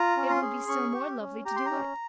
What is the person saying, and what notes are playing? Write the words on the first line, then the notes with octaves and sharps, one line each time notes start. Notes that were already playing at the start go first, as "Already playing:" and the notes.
"It will be still more lovely to do it."
Already playing: F4 A#5
C#4
C6
G#4
C#4 C#6
G4
C#4
G4 A#5
C6
A#5
C#4